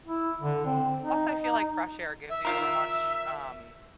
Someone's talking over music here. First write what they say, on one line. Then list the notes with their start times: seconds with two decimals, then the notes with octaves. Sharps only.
Plus, I feel like fresh air gives you so much, um
0.06 E4
0.41 D3
0.65 C4
1.03 D#4
2.29 E5
2.45 D#3 F4 A#4